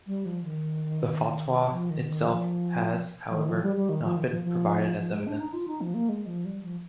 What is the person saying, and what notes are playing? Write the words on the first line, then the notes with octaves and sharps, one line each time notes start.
The fatwa itself has, however, not been provided as evidence.
G3
F3
D#3
F3
D#3
D#3
F3
F3
D#3
F3
G3
G3
D#3
F3
D#3
F3
F3
F3
G#3
D4
D#4
F4
D#4
F3
A#3
G#3
F3
G3
F3